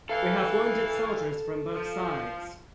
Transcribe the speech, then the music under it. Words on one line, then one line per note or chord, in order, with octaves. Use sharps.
We have wounded soldiers from both sides.
E3 A4 F5
F3